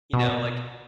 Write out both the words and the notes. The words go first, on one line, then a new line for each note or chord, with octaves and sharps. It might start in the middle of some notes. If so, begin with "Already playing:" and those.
you know, like,
B2